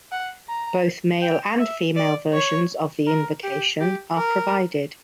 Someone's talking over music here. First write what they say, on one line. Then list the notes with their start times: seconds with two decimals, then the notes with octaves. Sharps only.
Both male and female versions of the invocation are provided.
0.12 F#5
0.48 A#5
1.22 G5
1.59 E5
1.96 D5
2.33 C#5
3.07 A#4
3.43 G4
3.80 G4
4.17 A#4